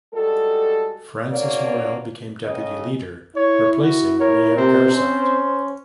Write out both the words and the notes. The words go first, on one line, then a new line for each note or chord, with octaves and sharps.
Frances Morrell became Deputy Leader, replacing Mair Garside.
G3 G#3 F#4 A4
G#2 A#3 C#4 F#4 C#5 D5
A2 C#3 C#5 D#5
E4 C#5
F#4
A#4 C#5
C3 C4
C#4 C5